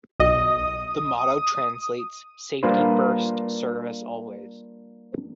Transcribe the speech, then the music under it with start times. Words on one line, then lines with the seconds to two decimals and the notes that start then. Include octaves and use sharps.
The motto translates "Safety First, Service Always".
0.20 B1 D#5 D#6
2.63 G3 A#3 D4 F4 B4 C5